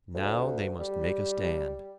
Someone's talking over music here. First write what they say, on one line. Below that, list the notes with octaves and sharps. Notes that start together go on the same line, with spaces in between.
Now they must make a stand.
D2
G3